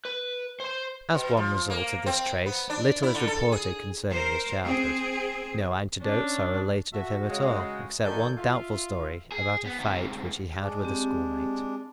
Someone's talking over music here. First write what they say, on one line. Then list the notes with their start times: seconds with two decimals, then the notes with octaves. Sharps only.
As one result of this trait, little is reported concerning his childhood. No anecdotes are related of him at all, except one doubtful story about a fight which he had with a schoolmate.
0.05 B4
0.60 C5 C6
1.15 B2
1.37 F3
1.70 A#3
2.06 C4
2.46 B3
2.70 D4
3.03 E4
3.14 D3
3.27 A4
3.52 G#4
4.11 A#4 C5
4.64 C4 G#4
6.02 C#4 D4
6.93 F#4 A4 E5
7.29 C#3 G#3
8.04 D#3 D4 A4 G#5 G6
8.37 F4 E5
9.32 G#4
9.66 B3
9.79 D2 C3
10.61 G#3 D4
10.83 C4 G4